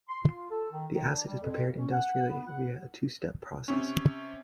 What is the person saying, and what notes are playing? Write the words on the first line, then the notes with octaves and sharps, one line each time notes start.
The acid is prepared industrially via a two step process.
C6
F4
A4
D#3
D#3
D4
G3
F2
C#4
F#5
B3
F#5
C3 C#4